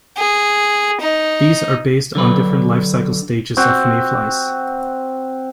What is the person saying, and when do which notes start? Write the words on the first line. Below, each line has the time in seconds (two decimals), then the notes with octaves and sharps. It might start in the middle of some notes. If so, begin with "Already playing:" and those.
These are based on different life-cycle stages of mayflies.
0.18 G#4
1.01 D#4
2.15 D3 F#3 B4
3.57 C4 F#4